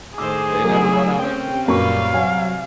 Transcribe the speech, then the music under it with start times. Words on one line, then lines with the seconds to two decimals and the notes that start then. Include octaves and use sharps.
they never run out of food and
0.18 A2 D#3 G#4 C5 D6 E6
0.64 C#3 F#3 G3 A3 E4 A#4
1.19 C4 C#4 G5
1.68 F#2 A#2 G3 A#3 B4 F5 C#6
2.14 C3 F#3 G3 G#5